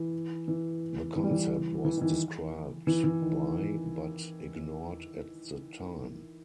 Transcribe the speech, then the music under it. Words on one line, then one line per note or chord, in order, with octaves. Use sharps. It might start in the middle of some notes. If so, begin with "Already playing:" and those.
The concept was described by but ignored at the time.
Already playing: E3
E3
E3
G3
E3
E3
D#3
E3
E3
E3
D#3